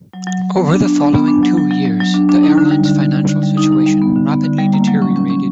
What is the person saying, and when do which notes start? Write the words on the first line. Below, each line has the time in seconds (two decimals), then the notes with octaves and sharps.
Over the following two years, the airline's financial situation rapidly deteriorated.
0.14 F#3
0.27 F#3
0.41 F#3
0.56 B3
0.70 D4
0.86 D4
1.00 D4
1.14 B3
1.28 D4
1.43 F#3
1.57 F#3
1.71 F#3
1.85 F#3
2.00 F#3
2.14 D4
2.29 D4
2.43 D#4
2.58 D3
2.71 G3
2.86 D3
3.01 D3
3.14 G3
3.29 D3
3.43 G3
3.57 D#4
3.72 D#4
3.86 G3
4.02 B3
4.15 D3
4.30 B3
4.44 D3
4.58 G3
4.73 A#3
4.88 F#3
5.02 C#4
5.16 C#4
5.30 C#4